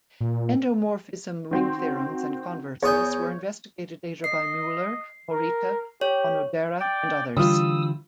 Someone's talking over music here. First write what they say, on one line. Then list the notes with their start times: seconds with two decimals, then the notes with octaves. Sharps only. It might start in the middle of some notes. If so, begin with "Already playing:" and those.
Endomorphism ring theorems and converses were investigated later by Mueller, Morita, Onodera and others.
0.20 A#2
1.51 D#3 C4 F#4
2.83 E2 G#4 C#5 G6
4.24 D#5 C7
5.32 A#4
6.01 G4 C#5
6.80 D5 G5
7.37 D3 E3 G3 F4 D#6 E6